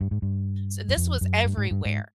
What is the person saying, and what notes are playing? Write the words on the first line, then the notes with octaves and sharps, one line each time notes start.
so this was everywhere.
G2
G#2
G2
F#2
F2
F#2
G2
G#2
G2
G#2